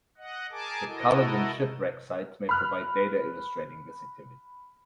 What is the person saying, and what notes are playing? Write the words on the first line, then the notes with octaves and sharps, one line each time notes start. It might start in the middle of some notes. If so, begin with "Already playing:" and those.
The Culloden shipwreck site may provide data illustrating this activity.
D#5 F#5
G#4 A#4 G#5 A5 D6
E4 F#4 A4 A#4 D#5
B5 F6 F#6